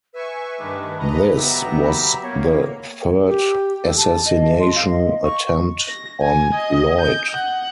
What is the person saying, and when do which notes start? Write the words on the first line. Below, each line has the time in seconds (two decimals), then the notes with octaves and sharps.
This was the third assassination attempt on Lloyd.
0.14 B4 E5 G#5 C#6
0.59 G2 D#3 G#3 A3 D6
0.99 D#5 A#5 B5
1.37 F#3 B3 G4 E5 A#5
2.23 A#3 B3 C#5
3.27 G4
3.83 A4
3.97 A5
4.26 D#5
4.60 C6
4.76 F5
4.90 D#5
5.23 C#6
5.88 A#6
6.22 G#5
6.55 D#5
7.01 G6
7.35 F#5